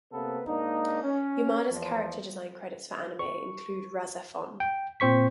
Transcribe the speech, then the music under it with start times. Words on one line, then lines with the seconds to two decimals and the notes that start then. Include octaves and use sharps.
Yamada's character design credits for anime include "RahXephon".
0.12 C3 A#3 B3 A4 B4
0.46 G#2 A#3 D4 D#4
1.04 C#4
1.71 E2 F3
3.19 C#6
4.60 G5
5.00 A#2 C4 C5 C#6 B6